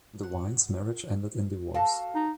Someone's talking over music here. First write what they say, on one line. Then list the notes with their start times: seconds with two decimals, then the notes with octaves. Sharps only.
DeWine's marriage ended in divorce.
0.23 F#5
1.75 F#4 A4 F5 A5
2.15 D#4